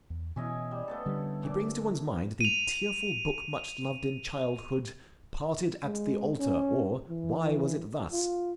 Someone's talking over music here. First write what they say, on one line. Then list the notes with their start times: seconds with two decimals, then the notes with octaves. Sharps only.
He brings to one's mind the tearful book, much loved in childhood, Parted at the Altar, or Why Was it Thus?
0.10 E2
0.36 B2 E3 C#4 E4 D#5
0.71 G3
0.88 A3 B3 A4
1.06 D3 G3
1.43 A#2 A4 D6
2.41 D#7 F7
5.84 G#3
6.40 C#4
7.09 E3
8.12 F4